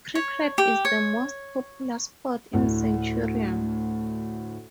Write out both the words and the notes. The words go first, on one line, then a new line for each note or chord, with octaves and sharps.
Cricket is the most popular sport in Centurion.
C#5
G4
C#5
D2 A2